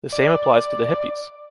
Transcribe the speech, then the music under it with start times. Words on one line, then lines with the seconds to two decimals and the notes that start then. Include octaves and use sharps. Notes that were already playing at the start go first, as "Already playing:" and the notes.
The same applies to the hippies.
0.13 D5